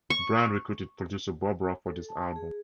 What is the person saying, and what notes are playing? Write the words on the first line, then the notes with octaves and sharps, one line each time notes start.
Bryan recruited producer Bob Rock for this album.
C#6
A4
A5
G#4